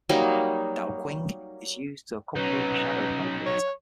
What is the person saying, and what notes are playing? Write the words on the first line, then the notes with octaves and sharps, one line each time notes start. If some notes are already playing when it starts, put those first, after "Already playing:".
Daoqing is used to accompany shadow play theater.
F#3 G3 A#3 D#4
F#3 C#4 D#4 B4
C#5